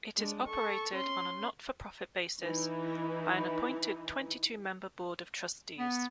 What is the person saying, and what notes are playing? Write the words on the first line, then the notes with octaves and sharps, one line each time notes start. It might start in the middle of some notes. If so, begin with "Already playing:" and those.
It is operated on a not-for-profit basis by an appointed twenty-two-member Board of Trustees.
G#3 D4
A4 C#6
C#4 C6
E3 D#4 E4
B3